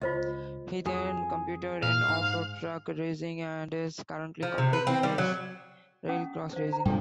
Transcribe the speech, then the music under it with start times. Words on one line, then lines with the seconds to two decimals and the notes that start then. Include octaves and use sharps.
He then competed in off-road truck racing and is currently competing in rallycross racing.
0.01 C#2 F4 C5 D#5
0.86 F2 G#4
1.83 A#2 F5
2.09 G#2
4.43 F3
4.58 C3
4.73 B4
4.87 C4
5.03 G3
5.18 F#3
6.09 C#4 F#5 D#6
6.53 C5 F5
6.73 A#5
6.85 G2 C3 F3 D4 A4 G5